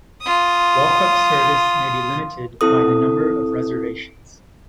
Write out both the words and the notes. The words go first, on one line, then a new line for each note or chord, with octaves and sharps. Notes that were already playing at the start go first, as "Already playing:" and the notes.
Walk-up service may be limited by the number of reservations.
F4 D#6
C4 E4 A4 D#6